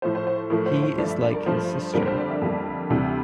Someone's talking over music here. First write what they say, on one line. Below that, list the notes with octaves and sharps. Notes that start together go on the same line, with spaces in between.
He is like his sister.
A2 F3 A3 C5
C5
C5
A2 F3 A3 A#4
C5
C5
G2 F3 A3 D5
E5
D5
A#4
G2 F3 A3 C5
F2 D3 G3 A#3 A#4
C5
D5
E5
F2 D3 G3 A#3
D2 C3 E3 G3